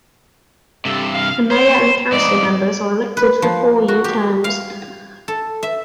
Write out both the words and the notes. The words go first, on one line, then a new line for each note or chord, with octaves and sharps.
The mayor and the council members are elected for four-year terms.
G2 C3 G4 A4
F5
C5 C#5
F2 G#2 D5 D#5
B4
F3
F#4
G4
F5
A4
E5